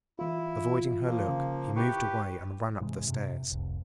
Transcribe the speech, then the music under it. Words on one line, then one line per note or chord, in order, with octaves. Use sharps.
Avoiding her look, he moved away and ran up the stairs.
E3 E4 F4
F3 A#3
C#3
E4 G4 B4 C#6
G#2 C3 E3 G#3
G2 C3
F1 C2